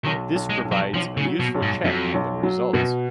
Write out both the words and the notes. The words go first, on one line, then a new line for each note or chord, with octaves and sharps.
This provides a useful check on the results.
B1 D#3
B1
G#3
B1
F#3
B1 F3
C#3
F#3
B2
B1
G#2
F2 F#3
B1
F#3
F#2 B2